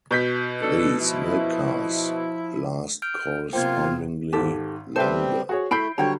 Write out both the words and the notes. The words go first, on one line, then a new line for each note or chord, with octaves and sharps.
These milk cars last correspondingly longer.
B2 G6 B6
D4 A4
F3 E4
F6 G6 D7
F#2 C3 A#3 B3 F4 C5 G5 G#6
G#1 G#2 G4 A4
G3 C4 A4 B4 C5 E5 G5
F#4 G#4 C#5
A3 E4 B5 G6 C7 D7
D3 F#3 G3 C5 C#5 G5 A#5